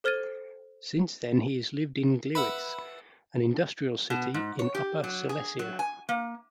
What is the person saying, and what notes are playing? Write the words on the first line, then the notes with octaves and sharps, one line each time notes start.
Since then he has lived in Gliwice, an industrial city in Upper Silesia.
A4 C5 F6 G#6 A6 D#7
B4 E5 F#5 B5
B2
G#2
C#5
G4
F#3
G#4
F#3
G#5
A#3